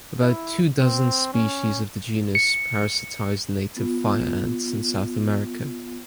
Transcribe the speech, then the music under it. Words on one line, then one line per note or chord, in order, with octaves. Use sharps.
About two dozen species of the genus parasitize native fire ants in South America.
E4
C4
C#4
C#7
B3 F4